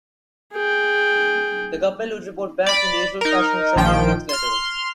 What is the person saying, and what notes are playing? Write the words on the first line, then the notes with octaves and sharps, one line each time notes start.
The couple would report back in the usual fashion several weeks later.
G#4 G5
D5 B5
D#4 A#4
A#1 D#3 F3 G5 D7
C6 F6